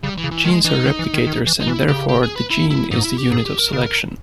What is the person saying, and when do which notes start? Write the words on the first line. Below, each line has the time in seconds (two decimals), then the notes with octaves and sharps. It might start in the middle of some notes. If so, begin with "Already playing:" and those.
Genes are replicators and therefore the gene is the unit of selection.
0.03 C#3 G3
0.17 E3
0.24 C#3
0.31 E3
0.44 D#3 G#3
0.65 E3 D#4
0.85 D#3
0.99 E3
1.14 D#3
1.27 D#3
1.47 E3
1.60 D#4
1.67 E3 E4
1.88 C#3 G4
2.09 G4
2.23 G#4
2.36 B4
2.50 E4
2.70 E4
2.91 G#2 D#4
3.04 E4
3.18 G4
3.31 G#2 G#4
3.46 G4
3.59 A#4
3.73 C#3 A#4
3.86 A#4